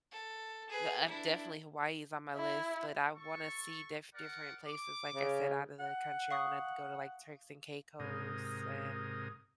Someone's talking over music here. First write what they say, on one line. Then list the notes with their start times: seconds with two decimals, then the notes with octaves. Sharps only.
the, uh definitely Hawaii is on my list, but I wanna see diff different places, like I said, outta the country. I wanna go to, like, Turks and Caicos and,
0.11 A4
0.69 G#4 B4
1.06 D4 E4
2.36 E4
3.15 A4 C#6
4.14 A#4 D5 F#5
4.66 D6
5.14 C#3
5.79 F#5
6.31 F5 C#6 D#6
8.00 G#2 C3 A#4 D#6